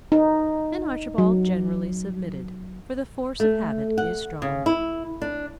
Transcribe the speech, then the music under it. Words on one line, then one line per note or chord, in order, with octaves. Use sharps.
And Archibald generally submitted, for the force of habit is strong.
D#4
F#3
A3
F#5
C#3
E4
D4